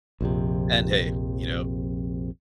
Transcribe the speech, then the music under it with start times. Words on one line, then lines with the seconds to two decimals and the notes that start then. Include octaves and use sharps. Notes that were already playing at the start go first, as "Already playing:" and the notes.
And, hey. You know?
0.21 A#1 F2 C3